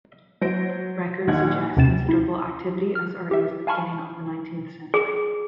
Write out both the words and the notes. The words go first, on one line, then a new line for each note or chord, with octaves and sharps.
Records suggest considerable activity as early as the beginning of the nineteenth century.
F#3 C5 A#6 D7
D#2 A#2 D#4 F#5 G#6
D#2 C3 C#4 G5 A6 E7
E4
F6
G4 E5
F5 G#5 A5 B5 C#6 F6
G#4